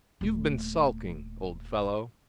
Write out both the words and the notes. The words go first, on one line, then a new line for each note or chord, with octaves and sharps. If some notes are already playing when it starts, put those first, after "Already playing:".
You've been sulking, old fellow.
D#1 A3